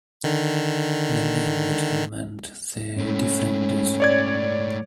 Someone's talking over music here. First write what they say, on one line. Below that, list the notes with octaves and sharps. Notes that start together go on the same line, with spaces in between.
The name would have meant the "defenders".
D3 D#3
G#2 A3 C#4
C#5 D5 G#6